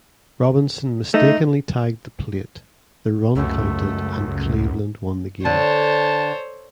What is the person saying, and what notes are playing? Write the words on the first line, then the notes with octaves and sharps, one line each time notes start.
Robinson mistakenly tagged the plate, the run counted and Cleveland won the game.
A3 D#4
C#2 F#2 A3
D3 C5 C#5 A5